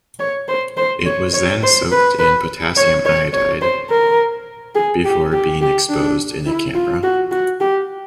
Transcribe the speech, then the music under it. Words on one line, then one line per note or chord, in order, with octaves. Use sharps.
It was then soaked in potassium iodide before being exposed in a camera.
C#5
C5
C5
C#5
C#5
C5
B4
B4
C#5
C#5
C#5
C5
A#4
G#4
G4
G4
G4
D4
E4
F4
F#4
F#4
G4